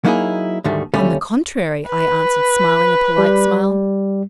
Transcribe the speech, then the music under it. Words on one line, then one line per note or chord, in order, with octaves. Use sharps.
'On the contrary,' I answered, smiling a polite smile.
F#3 A#3 D#4 E4 F#4 G#4
D2 G#2 D#3 G3 A3
D#2 D3 G3 A3 C#4
B4
G3